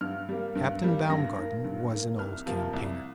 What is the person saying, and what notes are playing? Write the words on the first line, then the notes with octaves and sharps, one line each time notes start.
Captain Baumgarten was an old campaigner.
G2 F6
G3 A#3
G2
G3 A#3
G2 A#6
D#3 A#3
G2
D#3 A#3
C2 F6
C3 F3 A#3
C2